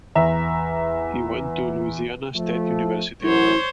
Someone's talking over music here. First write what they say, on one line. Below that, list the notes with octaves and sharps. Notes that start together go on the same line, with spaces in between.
He went to Louisiana State University.
E2 E5 A#5
F3 A3
A1 F#2 E4 C5 C#5